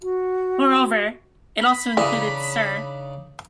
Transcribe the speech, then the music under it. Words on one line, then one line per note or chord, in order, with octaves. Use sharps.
Moreover, it also included cir.
F#4
B5
C#3 E3 D4 D#4 D5